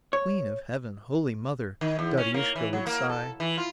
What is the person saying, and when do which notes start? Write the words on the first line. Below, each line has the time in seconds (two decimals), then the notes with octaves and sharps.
"Queen of Heaven, Holy Mother..." Daryushka would sigh.
0.13 C#5
1.81 D#3
1.99 E2
2.17 C#4
2.34 A#3
2.56 E3
2.73 F#3
2.87 A#3
3.09 A4
3.40 E3
3.58 F4